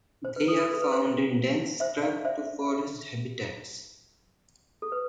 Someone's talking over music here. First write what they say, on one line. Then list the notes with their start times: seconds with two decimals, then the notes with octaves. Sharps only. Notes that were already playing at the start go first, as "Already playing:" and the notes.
They are found in dense scrub to forest habitats.
0.25 C5
0.36 B4
0.48 A4
0.60 B4
0.73 A4
0.82 B4
0.92 C5
1.80 C5 E5
2.03 D5 F5
2.25 C5 E5
4.82 A4
4.92 B4